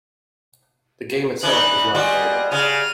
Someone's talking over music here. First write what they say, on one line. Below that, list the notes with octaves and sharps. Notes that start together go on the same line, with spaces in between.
The game itself does not play well.
F#4
E3 C#4 D#4 D5 B5 F#6
G3 F4 F#4 G#4 D5 D#5
C#3 F6 D#7